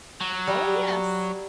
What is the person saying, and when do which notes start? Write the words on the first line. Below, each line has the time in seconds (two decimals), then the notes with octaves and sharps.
"Oh, yes."
0.21 F#3
0.47 G3